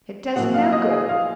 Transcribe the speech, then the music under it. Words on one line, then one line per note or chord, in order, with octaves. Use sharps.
It does no good.
A#1 A#2 F#3 F#5
F5
D#5
G#4
F5